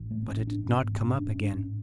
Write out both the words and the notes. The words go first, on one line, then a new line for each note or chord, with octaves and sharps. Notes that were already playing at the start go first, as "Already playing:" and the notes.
But it did not come up again.
Already playing: A1
A2 A3
B3
C#4
A1
D4
G#2 C#4
B3
A1
C#4
D4
G#2
C#4
D4
A1 C#4